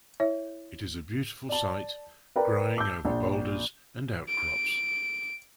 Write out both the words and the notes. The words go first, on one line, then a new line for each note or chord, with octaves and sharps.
It is a beautiful sight growing over boulders and outcrops.
E4 C#5 E5
D5 A5
A#4 B4 D5 G5 A#5
A5 D6 E6 G6
A#1
D7